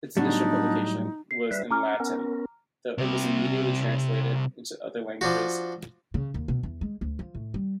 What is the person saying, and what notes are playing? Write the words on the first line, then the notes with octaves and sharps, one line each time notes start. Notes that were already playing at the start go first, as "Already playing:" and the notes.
Its initial publication was in Latin, though it was immediately translated into other languages.
A2 F#3 G3 B3 D4 D#4
C7
G3 B4 E5
C#4 A#5 D6 F6
B3 C#4 A#4
C2 C3
F3 D4 F#4
C#3
D#2
B2
E2
G#3
D2
F3
A2
G3